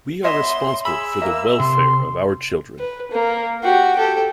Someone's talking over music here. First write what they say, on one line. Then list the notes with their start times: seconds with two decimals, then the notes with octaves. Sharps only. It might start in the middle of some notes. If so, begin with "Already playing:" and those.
We are responsible for the welfare of our children.
0.24 B3 C#5 D#5 E5 C6
0.85 G#4 B5 E6
1.21 A#3 A#4 E5
1.60 C3 C6
2.79 B4
3.11 A#3
3.63 F#4 G4
3.96 G4 A4